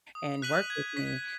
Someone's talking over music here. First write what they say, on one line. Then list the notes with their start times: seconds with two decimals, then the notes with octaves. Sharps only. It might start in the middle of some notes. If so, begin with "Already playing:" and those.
and work with me."
0.15 D#6
0.42 F#6 B6 D#7 F#7
0.70 G#6
0.97 B6 F#7